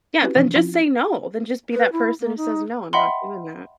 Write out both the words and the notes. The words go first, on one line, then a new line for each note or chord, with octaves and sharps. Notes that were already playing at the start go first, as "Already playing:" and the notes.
Yeah, then just say no, then just be that person who says, "No, I'm not doing that."
C4 C#4 E4 F#4 G4 B4
C3 E3 F3 C#4 D4
F3 C4 C#4 E4 F4
B4
E4
A#3
D#4
D#5 E5 F#5 G5 B5 C6